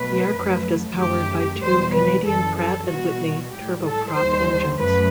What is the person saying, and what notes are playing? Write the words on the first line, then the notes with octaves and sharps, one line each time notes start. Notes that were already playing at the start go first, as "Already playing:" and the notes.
The aircraft is powered by two Canadian Pratt and Whitney turbo-prop engines.
Already playing: B2 F#3 A3 B4
F#2 F#3 A3
F#2 D#3 A3 G4
E2 B2 G3 C5
B4
F#2 E3 G3 A4
A4
B2 G3 F#4
A2 G3 G4
A4
D#2 D#3 G3 C5
F#2 F#3 A3 B4